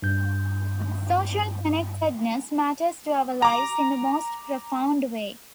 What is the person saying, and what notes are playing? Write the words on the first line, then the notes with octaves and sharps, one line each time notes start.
Social connectedness matters to our lives in the most profound way.
G2 G6
A#5 D6